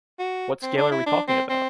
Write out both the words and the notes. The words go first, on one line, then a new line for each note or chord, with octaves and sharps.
What scale are we talking about?
F#4
C4
D4
E4
D4
C4
C4